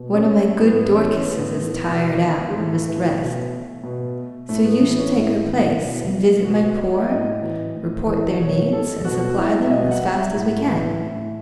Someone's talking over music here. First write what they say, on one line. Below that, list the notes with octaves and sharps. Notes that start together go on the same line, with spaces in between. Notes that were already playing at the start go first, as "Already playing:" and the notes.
One of my good Dorcases is tired out and must rest; so you shall take her place and visit my poor, report their needs, and supply them as fast as we can.
Already playing: B2
C#4
A3
A2 B3
E3 C#4
C#4
A2 B3
E3
B2
G#3
A2 A3
E3
B2
B2
A2 A3
B3
E3 B3
C#4
A2 E4
E3
B2
B2 F#4
D#5
E5
A2 D#5
E3
A2
E3
B2 C#5
A4
B2 F#4
E4
E5
B2 D#5
F#5
E5
A2
E3
A2